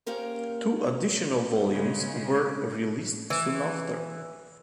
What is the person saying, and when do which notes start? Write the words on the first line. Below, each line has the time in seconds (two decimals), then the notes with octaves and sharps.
Two additional volumes were released soon after.
0.06 A#3 C#4 G4 A#4 C5
1.71 C#3 G#3
3.30 E3